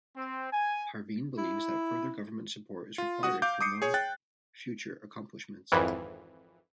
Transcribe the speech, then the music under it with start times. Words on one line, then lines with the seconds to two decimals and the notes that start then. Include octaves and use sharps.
Parveen believes that further government support is required for more future accomplishments.
0.16 C4
0.52 G#5
1.38 E4
2.98 F4
3.23 F#4 F#5 D#6
3.42 F5 D6 G6
3.61 D6 D#6 C7 C#7
3.82 G#4 C#5
3.94 G5 F#6 A6
5.72 G#1 F2 E3